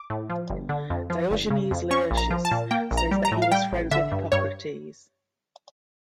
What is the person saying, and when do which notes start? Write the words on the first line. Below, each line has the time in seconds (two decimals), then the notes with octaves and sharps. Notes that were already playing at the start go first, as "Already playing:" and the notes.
Diogenes Laertius says that he was friends with Hippocrates.
Already playing: D6
0.10 A2
0.30 F3
0.50 G1
0.69 D3
0.90 F2
1.10 F3
1.31 G1
1.50 C#3
1.71 F2
1.91 C#4 C#6
2.11 A#1
2.17 A#5
2.31 F3
2.45 A5
2.51 A#2
2.71 A#3 G5
2.91 A#1
2.97 A#5
3.11 G3
3.25 A#5
3.32 A2
3.42 F5
3.51 G3 G5
3.72 A1
3.91 D3 E5
4.12 G2
4.32 G2 C#5